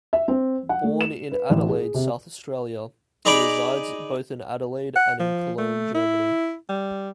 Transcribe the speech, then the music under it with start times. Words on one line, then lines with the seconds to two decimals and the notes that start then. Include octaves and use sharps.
Born in Adelaide, South Australia, he resides both in Adelaide and in Cologne, Germany.
0.13 E5
0.28 C4
0.69 F#5
0.84 A3
1.01 E7
1.32 B4
1.50 A1
1.69 G#4
1.94 C3
3.25 D#4 G#4 D5 A#5 B5 D6
4.96 F#5
5.19 F3
5.58 A3
5.95 E4
6.69 G3